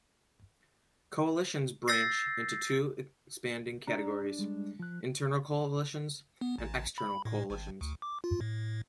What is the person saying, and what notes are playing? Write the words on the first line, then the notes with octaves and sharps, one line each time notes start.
Coalitions branch into two expanding categories: internal coalitions and external coalitions.
E6 G6 A6 A#6 C7
D4 D5 A#5
G3 G#3
F3 F#6
B3
A1
B5
A2
G#1
D2
D6
F4
A2